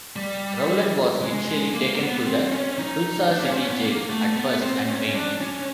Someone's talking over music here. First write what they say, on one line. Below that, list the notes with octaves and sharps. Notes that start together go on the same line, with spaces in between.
Rowland was initially taken to the Tulsa city jail at First and Main.
G3
G#3
G#3
A#3
B3
C4
C#4
D#4
D4
C#4
C4
C#4
B3
A#3
A3
B3
C4
C#4
D4
C#4